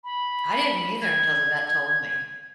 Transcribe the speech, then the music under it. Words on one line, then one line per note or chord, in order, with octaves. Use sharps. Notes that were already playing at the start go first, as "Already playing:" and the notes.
I didn't either until the vet told me.
B5
G#6